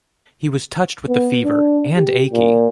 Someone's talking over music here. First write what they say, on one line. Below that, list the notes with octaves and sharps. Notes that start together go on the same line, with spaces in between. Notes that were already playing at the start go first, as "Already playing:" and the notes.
He was touched with the fever and achy.
B3
D4
G4
A#2